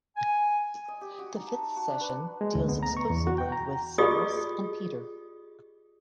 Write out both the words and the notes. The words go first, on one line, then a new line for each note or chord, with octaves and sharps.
The fifth session deals exclusively with Severus and Peter.
G#5
D#5
G4
F#4
D#4
A5
A5
F#4
D4
B4
G#3
D2
B3
A#5
C#6
E2
F#4
G5
A#5
F4 G4 G#4 D5 D#5 D#6